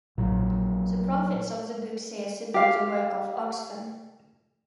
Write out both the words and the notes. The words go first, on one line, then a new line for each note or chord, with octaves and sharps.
The profits of the book sales support the work of Oxfam.
A#1 A#2 F#3
G4 F5